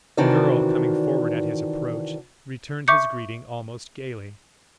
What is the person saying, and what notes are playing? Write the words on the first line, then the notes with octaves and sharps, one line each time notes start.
The girl, coming forward at his approach, returned his greeting almost gaily.
C3 D#3 E3 D4 F#4 D5
E5 C#6 D6 G6 C#7